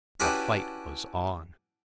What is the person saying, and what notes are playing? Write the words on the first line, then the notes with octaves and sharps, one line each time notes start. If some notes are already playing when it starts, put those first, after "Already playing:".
The fight was on!
C#4 D4 E4 F#4 G4 B4